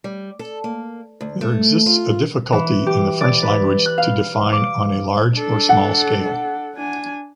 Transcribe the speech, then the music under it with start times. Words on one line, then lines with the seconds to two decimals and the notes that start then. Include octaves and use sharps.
There exists a difficulty in the French language to define on a large or small scale.
0.04 G3
0.39 A4
0.64 A#3
1.21 D2
1.41 A3
1.86 F4
2.52 E3
2.87 G4
3.21 D5
3.43 B4
3.86 F#6
3.98 F5
4.53 D6
5.34 D4 A4
5.69 F#5
6.76 D4 G#5